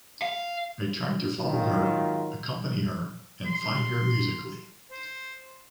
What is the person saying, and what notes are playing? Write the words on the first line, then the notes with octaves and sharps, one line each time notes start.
I tried to follow her, accompany her, and find her musically.
F5
G#1 D#3 F#3 F4
C6
C5